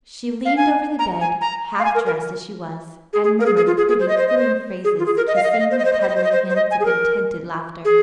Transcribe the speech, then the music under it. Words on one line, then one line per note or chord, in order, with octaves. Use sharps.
She leaned over the bed, half dressed as she was, and murmured pretty cooing phrases, kissing and cuddling him to contented laughter.
F5
G#5
A#5
G#5
A#5
F5
G#5
A#4
A#4
G#4
G#4
A#4
G#4
G#4
F4
G#4
G#4
C5
D#5
C5
D#5
C5
G#4
F4
G#4
A#4
D#5
F5
D#5
F5
D#5
C5
D#5
C5
D#5
C5
D#5
C5
D#5
C5
C5
D#5
G#5
G#4
A#4
G#4